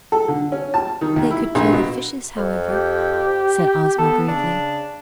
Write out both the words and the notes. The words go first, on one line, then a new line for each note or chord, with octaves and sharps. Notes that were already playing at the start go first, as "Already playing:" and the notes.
"They could kill the fishes, however," said Ozma gravely.
A4
D3
C#4
A5
D#3
D#2
E4
A#1
B2
F2
G4
B3 A4
C#3 D4